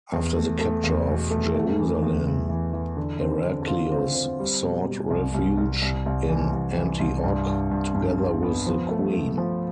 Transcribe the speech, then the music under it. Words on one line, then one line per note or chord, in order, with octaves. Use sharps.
After the capture of Jerusalem, Heraclius sought refuge in Antioch, together with the queen.
E2
A3
A3
E2
B2
A3
A3
E3
E2
E2
E3
E3
D3
C4
D3
F4
C4
C4
G3
B2
G3
C2
C2
C2
C2
C2
E3
C2
E3
C2
G2
G2
G2
G2
G2
B3
F3
A3
A3
F3